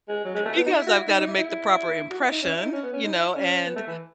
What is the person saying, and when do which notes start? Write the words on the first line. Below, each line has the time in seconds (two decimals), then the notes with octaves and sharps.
because I've gotta make the proper impression, you know, and
0.09 G#3
0.24 F#3
0.35 G#3
0.45 A3
0.56 B3
0.66 D#4
0.76 E4
0.86 F#4
0.97 E4
1.07 D#4
1.18 D#4
1.27 E4
1.38 E4
2.10 F#4
2.20 E4
2.31 D#4
2.42 C#4
2.52 E4
2.63 D#4
2.73 C#4
2.83 B3
2.93 C#4
3.04 D#4
3.14 E4
3.35 C#4
3.66 B3
3.76 A3
3.87 E3